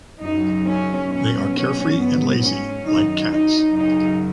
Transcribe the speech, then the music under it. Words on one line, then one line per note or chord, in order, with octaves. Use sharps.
They are carefree and lazy like cats.
F#2 C#3 F#3 D#4
C#4
B2 F#3 C#4
C#4
G#2 F#3 B3
C#4
F#2 D#3 F#3 D#4
D#4
F#2 C#3 F#3 D#4